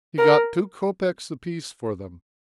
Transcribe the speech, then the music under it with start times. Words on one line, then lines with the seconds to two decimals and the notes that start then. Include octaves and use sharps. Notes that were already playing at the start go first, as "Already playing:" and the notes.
He got two kopeks apiece for them.
0.18 A#4